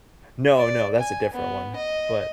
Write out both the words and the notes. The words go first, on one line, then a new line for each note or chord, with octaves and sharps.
No, no, that's a different one, but
D5
G#5
B3
D#5